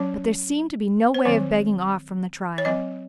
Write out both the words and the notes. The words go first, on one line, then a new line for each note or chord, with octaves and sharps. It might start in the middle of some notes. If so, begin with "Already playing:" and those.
But there seemed to be no way of begging off from the trial.
Already playing: F#3 C#4 C#5
C5
D#3 F#3 C4 C#5
C#5
F#3 C4 D#5